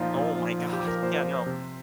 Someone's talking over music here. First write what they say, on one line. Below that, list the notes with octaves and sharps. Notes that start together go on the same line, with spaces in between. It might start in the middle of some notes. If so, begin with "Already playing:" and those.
Oh my god, yeah, no.
Already playing: A#2 F3 D#4 F4
A#2
F3
A#2
G4
F3
A#4
A#2 C5
F3
C3